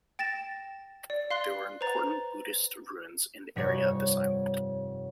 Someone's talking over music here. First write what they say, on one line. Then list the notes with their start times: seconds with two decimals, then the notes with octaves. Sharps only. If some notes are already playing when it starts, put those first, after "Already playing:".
There were important Buddhist ruins in an area of this island.
0.19 G5 A6 A#6 E7
1.10 D5
1.31 F5 C6 F#6 G7
1.81 B4 C5 A#5 A6
3.56 F1 G2 C#5